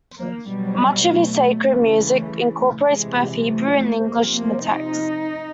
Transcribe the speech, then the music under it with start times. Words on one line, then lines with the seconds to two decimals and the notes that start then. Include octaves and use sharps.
Much of his sacred music incorporates both Hebrew and English in the text.
0.18 A#3
0.48 B2 F#3 G3
1.07 A3
1.67 C#3 E3
2.87 C3 E3 G#3
3.46 A3
3.76 A3
4.06 C3 F3 A#3
4.36 A#3
4.65 D#4